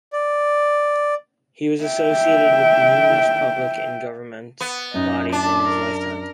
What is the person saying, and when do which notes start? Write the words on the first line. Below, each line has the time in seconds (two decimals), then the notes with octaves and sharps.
He was associated with numerous public and Government bodies in his lifetime.
0.13 D5
1.84 E5 G5
4.61 B3
4.94 F#2 D#4
5.32 D4 A5
5.68 A#4